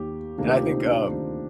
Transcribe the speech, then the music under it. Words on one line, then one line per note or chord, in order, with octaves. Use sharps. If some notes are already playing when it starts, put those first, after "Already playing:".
And I think, um,
Already playing: D#2 D#3 G4
D2 C3 D#3 A#3 D4
G4
F4
C4 D#4
D4 F4
D2 C3 D#3 C4 D#4